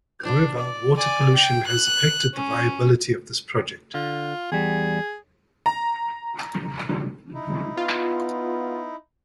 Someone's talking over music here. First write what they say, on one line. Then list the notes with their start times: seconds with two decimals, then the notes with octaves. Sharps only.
However, water pollution has affected the viability of this project.
0.24 D4
0.59 D5
0.96 D5 G#5
1.34 G5
1.66 F#6
2.34 C#4
3.94 D3 F4
4.52 E2 G3 G#4
5.66 A#5
7.34 D#4 E4
7.77 B3 F4